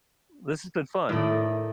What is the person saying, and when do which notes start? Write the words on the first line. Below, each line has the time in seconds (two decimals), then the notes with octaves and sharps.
This has been fun.
1.09 A2 D#3 A3 D5